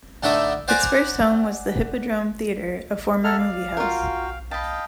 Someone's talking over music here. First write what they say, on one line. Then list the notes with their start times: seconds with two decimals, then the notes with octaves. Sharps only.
Its first home was the Hippodrome Theatre, a former movie house.
0.23 A2 D3 A3 D#4 D5 E5
0.68 C5 D5 F#5 G#5 A#5 D6
3.24 A4 E5 F#5 A#5 F6
3.38 D5 F5
3.77 F4 F#4 A#4 G5
4.51 D#5 F5 G5 A5 B5